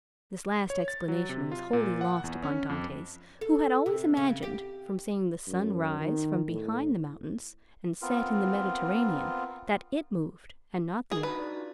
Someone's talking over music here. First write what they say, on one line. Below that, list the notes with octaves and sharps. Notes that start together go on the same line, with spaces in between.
This last explanation was wholly lost upon Dantes, who had always imagined, from seeing the sun rise from behind the mountains and set in the Mediterranean, that it moved, and not the earth.
C#5
A6
F#3
C3
F4
A#2
F#5
E2
C#4
F2
A4
C3
C#3
G4
F#2
D#3
A2
B3 C4 F4 A#4
G#4
D4 D#4 F#4 B4
D5
F4